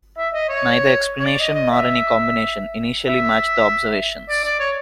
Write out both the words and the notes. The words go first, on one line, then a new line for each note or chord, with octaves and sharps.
Neither explanation, nor any combination, initially matched the observations.
E5
D#5
C#5
C#5
D5
D#5
D#5
E5
E5
D5
D5
C#5